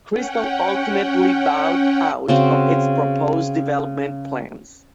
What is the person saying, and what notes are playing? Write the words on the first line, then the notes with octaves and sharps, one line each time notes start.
Crystal ultimately bowed out of its proposed development plans.
C#4 F#5 G5
C#3 C4 F#4